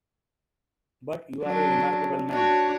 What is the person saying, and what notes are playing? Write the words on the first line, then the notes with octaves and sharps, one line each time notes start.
But you are a remarkable man.
F#3 C#4 D4
D4 F#4 C#5